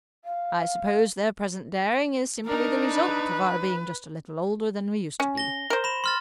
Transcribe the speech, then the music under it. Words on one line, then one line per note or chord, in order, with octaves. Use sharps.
I suppose their present daring is simply the result of our being just a little older than we used to be.
F5
D4 D#4 A#4
B4
C#4
A#6 G7
A#4 C5
B5 E7
C6 F6 A6